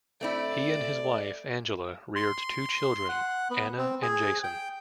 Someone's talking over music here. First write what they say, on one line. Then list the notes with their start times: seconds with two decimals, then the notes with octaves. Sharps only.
He and his wife, Angele, reared two children, Anna and Jason.
0.21 A3 C4 E4 D5
2.16 C6
3.09 F#5
3.51 B3
3.78 C4
4.02 G#4
4.43 G5